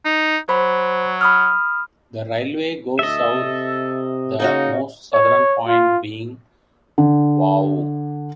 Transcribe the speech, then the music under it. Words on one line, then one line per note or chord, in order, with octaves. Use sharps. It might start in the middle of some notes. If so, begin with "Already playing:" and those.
The railway goes south, the most southern point being Wau.
D#4
F#3 C5 B5
B5 D#6 F6
D2 A4 D#5 E5
C3
C#3 A#3 C#4 D#4 F#4
C#5
F4
D3